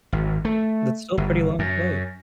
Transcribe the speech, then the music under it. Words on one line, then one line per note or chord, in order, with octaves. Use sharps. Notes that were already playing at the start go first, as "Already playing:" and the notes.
That's still a pretty long flight.
G#1
A3
G1
F#2